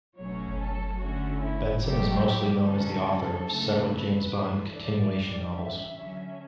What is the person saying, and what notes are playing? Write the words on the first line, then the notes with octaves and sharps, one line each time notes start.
Benson is mostly known as the author of several James Bond continuation novels.
B2 F#3 A3 C#4 C#5
A4
D3 A3 C#4 F#4
E4
B2 F#3 A3 G4
D3 F#3 C#4 A4
C#3 E3 A3 D4
B4
E3 A3 D4
D5
C#3 E3 G3 D4
E5
D3 F#3 C#4